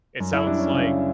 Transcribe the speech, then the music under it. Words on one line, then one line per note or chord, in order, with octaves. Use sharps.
it sounds like
F#2
E4
G3 D4
C#4
C#3